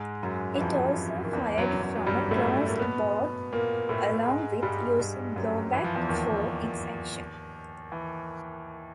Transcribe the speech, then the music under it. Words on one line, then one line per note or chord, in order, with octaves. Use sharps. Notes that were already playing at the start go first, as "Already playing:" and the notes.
It also fired from a closed bolt along with using blowback for its action.
Already playing: G#2 G#3
F#2 F#3
E3
F2 F3
D#3
E2 E3
F#2 F#3
F#2 F#3
F#3
G2 G3
A2 A3
A#3
B2 B3
A#2 A#3
A2 A3
G#2 G#3
G2 G3
G2 G3
F#2 F#3
E3
F3
E2 E3
D#2 D#3
E3